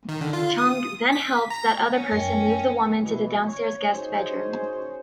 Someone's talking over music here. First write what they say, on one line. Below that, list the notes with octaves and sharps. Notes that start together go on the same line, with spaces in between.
Chung then helped that other person move the woman to the downstairs guest bedroom.
D#3
D3
F4
D#6
B6
A#5
C#4
F#2 A#4 G5
B2 E3
C#5
C#4 D#4 F#4 G#4 C5 C#5